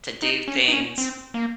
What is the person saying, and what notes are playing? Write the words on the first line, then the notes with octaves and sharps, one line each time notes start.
to do things,
D#4
C#4
D#4
C#4
C4
A#3